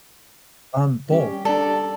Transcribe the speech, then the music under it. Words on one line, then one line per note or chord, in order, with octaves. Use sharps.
Um, both.
G3 C#4 G4
G3 D4 A4 D5